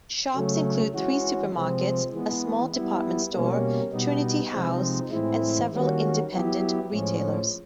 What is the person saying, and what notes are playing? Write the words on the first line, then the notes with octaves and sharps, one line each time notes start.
Shops include three supermarkets, a small department store, Trinity House, and several independent retailers.
C#3 F#3 A3 C#4
E3 G#3 C#4 F#4
C3 F3 G#3 C4
E3 G#3 B3
G3 B3 E4
B2 G3 A#3 C#4
B2 G3 B3 D#4
C3 F3 G#3 C4 D#4
A2 E3 G#3 C4 E4
D#3 G3 A#3 C#4 F#4
F#3 B3 E4 G4
A2 F3 G#3 C#4